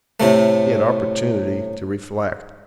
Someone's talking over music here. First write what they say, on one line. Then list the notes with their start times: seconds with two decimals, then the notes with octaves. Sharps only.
He had opportunity to reflect.
0.20 A2 C3 A3